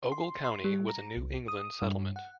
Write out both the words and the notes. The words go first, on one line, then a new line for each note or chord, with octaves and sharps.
Ogle County was a New England settlement.
C6
C6
G3
A#5
C2
D#6
G2
F#5